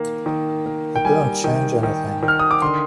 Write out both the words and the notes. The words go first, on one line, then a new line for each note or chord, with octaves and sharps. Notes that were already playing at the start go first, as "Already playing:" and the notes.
It didn't change anything.
Already playing: D#3 A#3
D#3
A#3
G5
G3 G#5
D#3
D#3
D#3
F6
D#6
D6
D3 C6